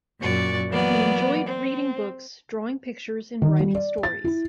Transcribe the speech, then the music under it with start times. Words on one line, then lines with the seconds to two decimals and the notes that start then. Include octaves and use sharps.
He enjoyed reading books, drawing pictures, and writing stories.
0.21 F#2 A#2 F#4 D5 C#6
0.69 E3 F#3 A#3 B3 D5
1.46 C4
3.42 D#3
3.60 G3
3.75 D5
4.03 A6
4.24 E4